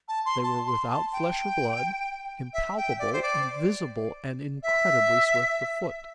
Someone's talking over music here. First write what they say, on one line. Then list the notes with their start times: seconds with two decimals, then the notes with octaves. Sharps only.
They were without flesh or blood, impalpable, invisible, and incredibly swift of foot.
0.08 A5
0.26 C6
0.44 A5
0.67 C6
0.90 A5
1.13 G5
2.53 E5
2.77 G5
2.99 D5
3.13 C5
3.22 D5
4.63 E5